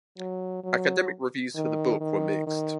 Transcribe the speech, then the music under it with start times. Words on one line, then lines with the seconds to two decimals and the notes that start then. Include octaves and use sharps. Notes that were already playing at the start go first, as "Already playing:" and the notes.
Academic reviews for the book were mixed.
0.18 F#3
0.64 F#3
1.56 D#3
2.01 D#3
2.47 D#3